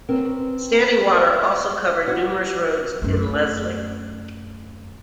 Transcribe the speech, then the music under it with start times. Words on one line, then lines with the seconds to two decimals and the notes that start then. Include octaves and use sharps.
Standing water also covered numerous roads in Leslie.
0.09 C4 C#4 A#4 B4
2.08 F#4
3.02 F#2 A3